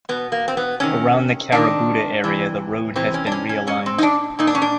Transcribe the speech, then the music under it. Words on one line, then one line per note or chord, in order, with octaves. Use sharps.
Around the Carabooda area the road has been realigned.
B2 B3
A#3
C4
B3
C3 D#3 C#4
C3 D#3 D4
C3 E3
C3 E3 C4
C#4
D4
C#4
C#4
A#2 C#4
C4
D#4
D4
A#2 D#4
D4
C#4
D4